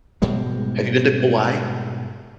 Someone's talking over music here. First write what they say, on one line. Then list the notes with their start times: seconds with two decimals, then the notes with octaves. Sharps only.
Have you been to Kauai?
0.22 G#2 B2 G3 G#3